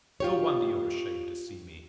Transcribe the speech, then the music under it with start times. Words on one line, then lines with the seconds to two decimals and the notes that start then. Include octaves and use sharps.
No wonder you are ashamed to see me.
0.20 F4 G4 C#5